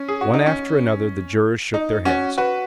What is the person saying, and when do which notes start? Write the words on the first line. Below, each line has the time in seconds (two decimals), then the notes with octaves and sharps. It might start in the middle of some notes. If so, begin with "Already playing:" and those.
One after another the jurors shook their heads.
Already playing: C#4
0.08 G#4
0.21 F#4
0.34 D#4
0.46 C#4
1.74 D#4
2.05 C#4 F#4
2.38 F#4 B4